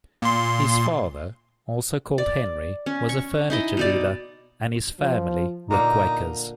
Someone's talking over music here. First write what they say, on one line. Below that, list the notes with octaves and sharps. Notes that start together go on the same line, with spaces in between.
His father, also called Henry, was a furniture dealer, and his family were Quakers.
A#2 C6
D5
C#4
C#6
D#4 E4 D#5
B2 D#4 D5
F3
A#2 D3 A#3 D#4 A#5